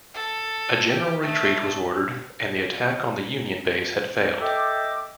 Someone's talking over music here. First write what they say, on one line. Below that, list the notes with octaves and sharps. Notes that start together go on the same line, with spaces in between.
A general retreat was ordered, and the attack on the Union base had failed.
A4
G4
A3
A4 D#5 E5 G5 D6